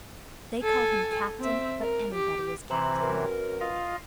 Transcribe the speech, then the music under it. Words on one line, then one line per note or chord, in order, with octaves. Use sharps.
"They call him 'captain,' but anybody is captain."
A4 G#5
C4 E5
A#4
G4
C3 E3 C4 C5 A#5 C6
F#2 F#3 A#4 B4
F4 D#5 F5